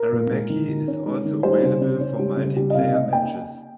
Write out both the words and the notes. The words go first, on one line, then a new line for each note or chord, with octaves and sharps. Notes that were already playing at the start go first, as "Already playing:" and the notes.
Aramaki is also available for multiplayer matches.
Already playing: A#4
A#2
G#3
D#3
D#3
C#4
G#3
D#3
G3 C5
C#3
C#3
C#4
G3
C#3
G3
D#5
C3 F5
C#4 D#5
A#3 G5